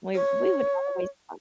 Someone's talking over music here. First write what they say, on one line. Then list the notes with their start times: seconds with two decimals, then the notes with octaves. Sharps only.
we we would always, uh
0.15 C#5